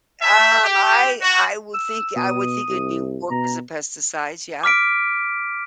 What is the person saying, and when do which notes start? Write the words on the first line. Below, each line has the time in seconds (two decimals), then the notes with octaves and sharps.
Um, I I would think I would think it'd be work as a pesticides, yeah.
0.22 E5
0.64 G4
1.21 F#4
1.74 E6
2.16 B2 D#6
2.68 C2
3.30 B2 A#5
4.63 D6 F6 B6 D7